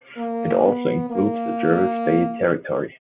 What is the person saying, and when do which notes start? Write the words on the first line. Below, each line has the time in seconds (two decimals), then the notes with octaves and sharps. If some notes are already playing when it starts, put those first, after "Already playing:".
It also includes the Jervis Bay Territory.
0.17 A#3
0.63 B3
1.10 A#3